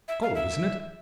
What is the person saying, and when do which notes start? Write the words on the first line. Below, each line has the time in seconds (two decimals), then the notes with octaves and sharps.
"Cold, isn't it?"
0.08 E5
0.22 F5
0.35 E5